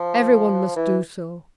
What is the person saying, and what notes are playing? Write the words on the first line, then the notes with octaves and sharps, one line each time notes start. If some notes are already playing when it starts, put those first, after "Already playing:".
Every one must do so.
Already playing: F3
E3